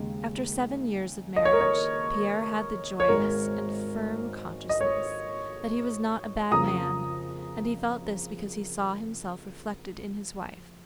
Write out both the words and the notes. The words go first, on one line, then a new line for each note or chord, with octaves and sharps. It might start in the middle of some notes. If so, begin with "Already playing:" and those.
After seven years of marriage Pierre had the joyous and firm consciousness that he was not a bad man, and he felt this because he saw himself reflected in his wife.
Already playing: D#2 C#3 G#3
D#5
C#5
A#4
C#5
C#5
G#1 G#2 G#3 A#4
D#5
C#5
F2 C#3 F3 A#3 A#5 D#6